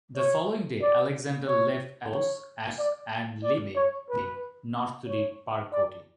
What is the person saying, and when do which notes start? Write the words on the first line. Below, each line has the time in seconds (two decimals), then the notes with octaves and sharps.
The following day, Alexander left Abydos and led his army north to Percote.
0.17 C#5
0.82 D5
1.48 C#5
2.13 C#5
2.78 D5
3.43 D5
3.76 C#5
4.10 B4
5.07 C#5
5.73 D5